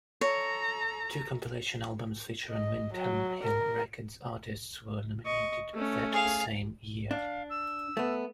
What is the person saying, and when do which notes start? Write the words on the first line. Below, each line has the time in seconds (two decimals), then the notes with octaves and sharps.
Two compilation albums featuring Windham Hill Records artists were nominated that same year.
0.21 A4 C#5 A#5
2.50 D#5
2.94 F#3
3.44 A#4
5.25 D#5 C#6
5.74 A3 C#4
6.12 G#4 F5
7.11 D4 F5
7.50 E6
7.97 A3 B3